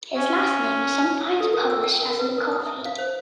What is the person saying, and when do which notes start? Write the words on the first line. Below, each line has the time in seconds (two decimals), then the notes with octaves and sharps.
His last name is sometimes published as McCarthy.
0.15 C#4
1.40 A4
1.53 A#4
1.70 E6
1.84 G5
2.00 A#4
2.19 B4
2.38 A#4
2.52 D#6
2.66 E5
2.85 F5
2.98 C5